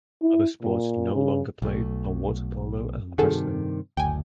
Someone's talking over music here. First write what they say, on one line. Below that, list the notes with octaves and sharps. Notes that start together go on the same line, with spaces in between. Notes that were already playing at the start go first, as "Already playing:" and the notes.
Other sports no longer played are water polo and wrestling.
E4
A#2
C#3
B1 A3
G2 C3 D#3 F#4 G#4 A4
F#1 D2 G5 G#5